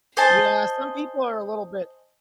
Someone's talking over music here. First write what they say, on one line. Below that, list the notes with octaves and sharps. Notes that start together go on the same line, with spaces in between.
Yeah, some people are a little bit
C5 D#5 G#5 A5